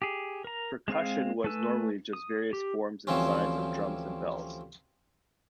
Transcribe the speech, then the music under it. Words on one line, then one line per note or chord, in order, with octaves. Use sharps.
Percussion was normally just various forms and sizes of drums and bells.
G4 G#4
A#4 A#5
G#3 C4 G#4 F5
A3 B4 G#5 E6
D#6
G4
D2 E3 F3 G3 C4 C#4